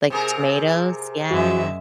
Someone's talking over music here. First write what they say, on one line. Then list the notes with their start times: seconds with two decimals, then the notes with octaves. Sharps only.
like the tomatoes. Yeah.
0.10 C3 G#4 A#4
1.31 F#2 G#3 F#4 E5